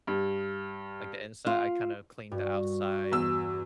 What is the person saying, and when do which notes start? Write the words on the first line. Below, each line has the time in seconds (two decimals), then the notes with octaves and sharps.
like the inside. I kinda clean the outside,
0.07 G2
1.46 F4
2.31 G2 F#4
3.12 E2 E6